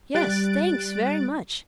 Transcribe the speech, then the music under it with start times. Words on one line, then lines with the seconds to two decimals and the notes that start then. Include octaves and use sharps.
'Yes, thanks, very much.
0.15 G3 F#6 A6 D7